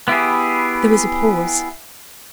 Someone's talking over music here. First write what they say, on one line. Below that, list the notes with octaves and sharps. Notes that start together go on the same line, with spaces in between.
There was a pause.
B3 E4 G4 G#4